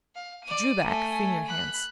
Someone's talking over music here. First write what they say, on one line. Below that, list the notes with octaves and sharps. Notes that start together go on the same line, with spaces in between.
She drew back, freeing her hands.
F5
D5 D#7
A3 G#5
B5 F#6